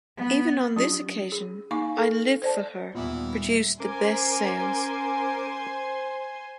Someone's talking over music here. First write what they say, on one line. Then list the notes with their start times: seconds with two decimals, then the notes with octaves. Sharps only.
Even on this occasion “I Live for Her” produced the best sales.
0.17 B3
0.76 F#3 C#4 D4 F4 G4
1.32 G#4
1.71 A#3 D#4 F5 G#5 C#6 D6
1.97 A4
2.42 C5 D5 A5
2.95 D#2 A#2 E3 G3 B3 E4
3.80 C#4 A#4 C5 G#5 C6 D6